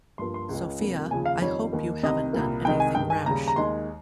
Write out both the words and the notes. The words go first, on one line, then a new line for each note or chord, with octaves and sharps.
Sophia, I hope you haven't done anything rash?
G2 F3 A#3 C6
C6
C#2 C#3 G#3
F2 C3 G3 A#3
D#2 C#3 F3 G#5
F5
F2 D#3 G3 C#5
D#2 D#3 A#3
C2 C3 D#3 D#5
C2 A#2 G3 A#3
C2 C3 D#3 G#3 G5
G#5
G2 D#3 G#3 G5
G#5
D#2 C#3 G3 A#5
A#5
D#2 D#3 G#3 C6